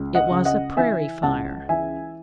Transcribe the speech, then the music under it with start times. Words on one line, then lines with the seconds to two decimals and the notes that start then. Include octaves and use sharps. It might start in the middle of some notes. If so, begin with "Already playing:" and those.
It was a prairie fire.
Already playing: C#2
0.15 D#5 F#5
0.31 C#3
0.45 D#5 F#5
0.77 E3 E5 G#5
1.23 C#2 F#5 A5
1.69 E3 E5 G#5